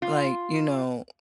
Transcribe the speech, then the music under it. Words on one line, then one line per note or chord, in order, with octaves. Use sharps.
like, you know,
F4